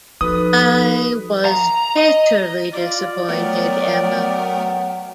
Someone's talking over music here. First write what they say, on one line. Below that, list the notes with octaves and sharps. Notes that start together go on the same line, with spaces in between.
I was bitterly disappointed, Emma.
F3 D#4 F#4 A4 B4 D#6
A#5
D#5
F4 D5
F#3 A3 B3 A#4 G5